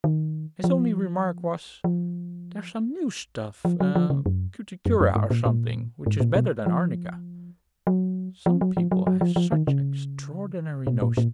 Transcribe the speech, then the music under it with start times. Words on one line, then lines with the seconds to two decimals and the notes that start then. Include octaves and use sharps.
His only remark was, "There's some new stuff, cuticura or something, which is better than arnica." Some people have such extraordinary notions of humor.
0.04 D#3
0.64 F3
1.84 F3
3.65 F3
3.80 F#3
3.95 F3
4.10 C#3
4.26 F#2
4.86 F#2
5.01 F#2
5.16 G#2
5.30 A#2
5.46 A#2
6.06 G#2
6.20 A#2
6.35 B2
6.66 F3
7.87 F#3
8.46 F3
8.61 F#3
8.77 F3
8.92 F#3
9.07 F#3
9.21 F3
9.36 F3
9.52 D#3
9.67 C#3
10.87 B2
11.02 A#2
11.17 A#2